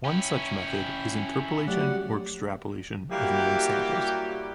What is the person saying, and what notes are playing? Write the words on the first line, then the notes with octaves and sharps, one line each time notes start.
One such method is interpolation or extrapolation of known samples.
C#4 E4 G5
F#3 A3 G4 D5 F#5
F#3 G3 A#3 E4 F#4 G4